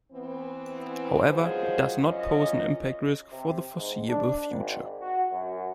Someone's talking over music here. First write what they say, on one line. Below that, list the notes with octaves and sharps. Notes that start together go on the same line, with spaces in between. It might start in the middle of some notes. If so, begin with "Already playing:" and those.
However, it does not pose an impact risk for the foreseable future.
E3 B3 C4
D#2 F3 F#3 G#3 G#4 C5
F#2 C#4 F4 D#5
C3
G#2
D4
G#1
F#4
F#2